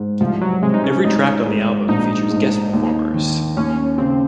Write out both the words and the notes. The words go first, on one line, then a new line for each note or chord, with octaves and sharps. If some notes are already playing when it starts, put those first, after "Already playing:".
Every track on the album features guest performers.
Already playing: G#2
C2 F3
F#3
C3 G#3
D#4
C#4
G#1 D#4
G#2
A#1 D#4
G#2
D#2
D#3
D#2 C#4
C#3 C4